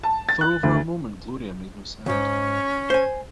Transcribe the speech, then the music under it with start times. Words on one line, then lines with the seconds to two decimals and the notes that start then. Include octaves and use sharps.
For over a moment Gloria made no sound.
0.03 A5
0.29 A6
0.41 F#6
0.63 D2
2.06 D2 G#2 C#4
2.90 C5 G#5